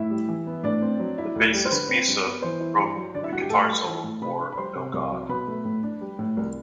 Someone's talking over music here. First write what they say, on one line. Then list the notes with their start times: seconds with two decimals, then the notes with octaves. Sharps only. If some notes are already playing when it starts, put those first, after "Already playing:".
The bassist Misa wrote the guitar solo for "No God".
Already playing: A2 E4 E5
0.10 G3
0.29 E3
0.47 B3
0.63 A2 D4 D5
0.82 C4
0.99 F#3
1.18 E4
1.36 D2
1.54 G3
1.65 C5
1.71 D3 B4
1.89 C4
2.08 G2
2.25 B3
2.42 E3 C5
2.60 E4
2.79 G2
2.97 F#3
3.14 D3 D4 D5
3.23 E4 E5
3.32 G2 F#4 F#5
3.41 G4 G5
3.50 A2 A4 A5
3.68 G3
3.86 E3
4.04 A2
4.21 C3 B4 B5
4.40 D4
4.52 B5
4.57 G3 C5 C6
4.76 C3
4.93 C2
5.11 F#3
5.29 B2 B4 B5
5.48 A3
5.65 A2
5.83 D4
6.01 G3
6.19 A2
6.37 C2